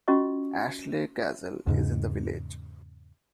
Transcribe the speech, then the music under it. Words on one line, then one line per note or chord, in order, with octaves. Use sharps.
Ashley Castle is in the village.
C#4 F4 F#4 D#5 C#6
E2 G#2 C#3